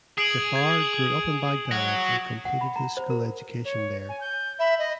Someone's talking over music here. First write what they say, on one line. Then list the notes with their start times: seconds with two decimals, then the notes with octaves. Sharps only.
Jafar grew up in Baghdad and completed his school education there.
0.18 G#4 D#6 D7 F#7
0.56 G#6
1.71 F#4 C#5
2.45 F#5
2.61 B5
2.76 A#5
2.97 C5
3.10 A#4
3.65 C#5
4.09 G#5
4.20 G6
4.59 E5 B5
4.79 D#5